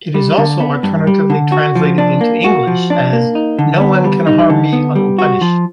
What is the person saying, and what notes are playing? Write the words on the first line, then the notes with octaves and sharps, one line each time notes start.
It is also alternatively translated into English as "No one can harm me unpunished".
G3
D3
B3
G2
G3
D3
F#4
F3
D4
A#3
F#4
F3
D4
A#3
D#4
D3
B3
G3
D#4
D3
B3
G3
F#4
F3